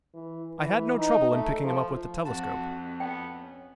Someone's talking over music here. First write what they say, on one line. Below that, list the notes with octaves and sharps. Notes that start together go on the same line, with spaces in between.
I had no trouble in picking him up with the telescope.
E3
E3
D#4
A3
F3
F2 F#4 A5
B3 G5
C#4